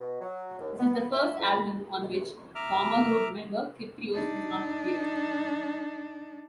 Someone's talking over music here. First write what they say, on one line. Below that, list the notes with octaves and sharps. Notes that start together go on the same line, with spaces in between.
This is the first album on which former group member Kyprios has not appeared.
B2
F#3
D#2
B3
B3
E5
F2
E5 A#5 D6 F6
D4 D#4